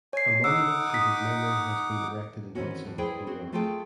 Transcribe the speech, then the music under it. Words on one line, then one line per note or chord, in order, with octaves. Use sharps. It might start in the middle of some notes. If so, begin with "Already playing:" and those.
A monument to his memory has been erected in Hudson, New York.
C#5 G#5 C7
D#4 F#5 D6 E6
D#6 B6
D#3 E3 G#3 C4 C#4 F#4
G2
E4 G#4 B4 C5 D5 G5
C4 F#4
A3 F4 G#4 A4 G5 A5